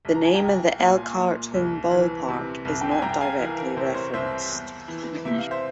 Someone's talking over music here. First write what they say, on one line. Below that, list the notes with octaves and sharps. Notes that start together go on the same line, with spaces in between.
The name of the Elkhart home ballpark is not directly referenced.
C2
A#5
G#5
G5 A#5
C2
A#2 F5 G#5
A#2
C2
E3
C3
C2
G5
G#5
C2 G5 A#5
A#5
F5 G#5
E3 A#4
A#4
C3 C5
C#5
C5
C2 C5 E5
E2
E3
C3 E5
F5
C5 E5